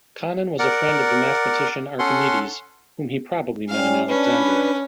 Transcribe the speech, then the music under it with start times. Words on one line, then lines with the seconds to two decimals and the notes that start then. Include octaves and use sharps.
Conon was a friend of the mathematician Archimedes whom he probably met in Alexandria.
0.59 A#4 D5 F#5
1.99 C#4 A4 F#5 C6
3.68 G3 C#4 F5
4.09 C#4 D4 B4